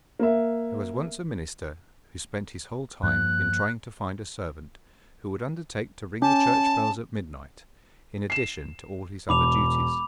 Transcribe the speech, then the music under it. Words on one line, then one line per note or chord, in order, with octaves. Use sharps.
There was once a minister who spent his whole time in trying to find a servant who would undertake to ring the church bells at midnight, in addition to all his other duties.
A#3 E5
G2 F3 A#3 F#6
C#4 A5
C7 E7
E1 B5 D6 F7